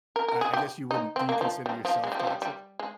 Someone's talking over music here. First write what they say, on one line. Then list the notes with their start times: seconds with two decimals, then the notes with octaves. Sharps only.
I I guess you wouldn't do you consider yourself toxic?
0.16 A#4
0.28 A#4
0.41 G#4
0.53 G4
0.91 D#4
1.16 C4
1.29 A#3
1.41 F3
1.66 G3
1.85 F3
2.04 G#3
2.12 G3
2.20 F3
2.27 G3
2.42 G3
2.79 G#3